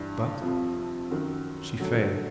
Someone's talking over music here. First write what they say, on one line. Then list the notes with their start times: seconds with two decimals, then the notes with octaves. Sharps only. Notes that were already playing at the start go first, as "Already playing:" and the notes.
But she failed.
Already playing: G2 E3 G3
0.42 F2 C3 F3
1.11 F#2 D#3 F#3
1.79 D3 F#3 A3